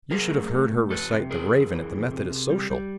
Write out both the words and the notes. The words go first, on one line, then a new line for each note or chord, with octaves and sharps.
You should have heard her recite "The Raven," at the Methodist Social!
F#3 G#4 A#4
A3
A3
B2
F2 A4 B4
C3
F2 G#4 A#4
F2
E3
F2
C3
C3
G3
G3